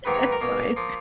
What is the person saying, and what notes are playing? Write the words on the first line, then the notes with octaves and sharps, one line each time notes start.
that's fine,
G#2 D#3 F#3 A#3 B4
C#5
B4
A#4
B2 A#3 C#4
F3 A#3